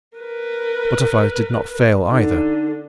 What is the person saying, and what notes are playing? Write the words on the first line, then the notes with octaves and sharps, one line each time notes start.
Butterflies did not fail either.
A#4 B4
D3 D#4